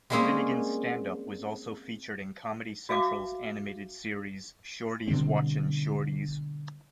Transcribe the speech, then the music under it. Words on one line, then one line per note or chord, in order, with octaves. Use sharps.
Finnegan's stand up was also featured in Comedy Central's animated series Shorties Watchin' Shorties.
G3 G#3 A#3 C4 C#4 G#4
F#4 E5 F5 D6
B2 D3 G3 C4